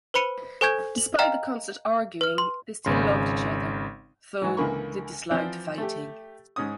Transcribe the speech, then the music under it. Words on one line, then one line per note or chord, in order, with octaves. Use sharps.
Despite the constant arguing, they still loved each other, though they disliked fighting.
B4 C5 B5 C#7 D#7
A4 C5 G#5 C#6 G6 G#6
F#7
D#5 F5 G5 A#5 F6
B4 F6
C6
G#1 C#3 C6
G#2 E3 F#3
C#2 D3 E3 A#3 B5 C#6
E3 F3 C4 C5 D5
A3 G4
G#2 C#4 D#6